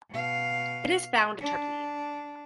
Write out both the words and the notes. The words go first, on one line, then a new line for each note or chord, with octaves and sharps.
It is found in Turkey.
B2 F5
D4